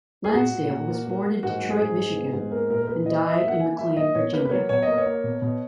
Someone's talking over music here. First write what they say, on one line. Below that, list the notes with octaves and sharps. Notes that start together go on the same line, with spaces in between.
Lansdale was born in Detroit, Michigan and died in McLean, Virginia.
G#4
A#2 F#4
A#2
A#2
A#3
A#3
A#3
G#2 F#4
F#3
G#4
G#2
G#2
B3
G#2
A#3 A#4
A#2 A#4
A#4
A#2 B4
A#2 D#5
A#3 D#5
E5
A#3
F#5
A#3 G#5
F#3 E5
A#3 D#5
B2 C#5
A#3 B4
B4
F#3 C#5
B2 C#5
A#3 D#5
C#5
A#3
B2
B2